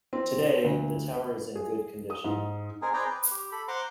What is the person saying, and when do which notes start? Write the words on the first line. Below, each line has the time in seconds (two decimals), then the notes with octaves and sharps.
Today, the tower is in good condition.
0.13 C4
0.64 D2
1.14 B4
1.55 G#4
2.10 D#6
2.24 G#2
2.82 C4 D#4 G#4 A#4
2.94 C4 G#4 B4 D5 G5 A#5
3.10 B4
3.31 G4
3.52 A4 B5
3.68 C5 F#5 A#5 C6 D6